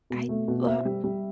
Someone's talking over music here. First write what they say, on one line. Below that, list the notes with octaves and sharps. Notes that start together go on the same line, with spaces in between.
I uh,
B2
A3
B2
C4 E5
G3
G3